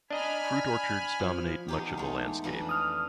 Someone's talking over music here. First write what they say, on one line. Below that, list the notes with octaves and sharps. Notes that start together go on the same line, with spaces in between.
Fruit orchards dominate much of the landscape.
D4 D#5 G#5 A#5 B5 F6
F3
E2 D#4 G4
G#3 A3
F2 E3 D4
D#6 F6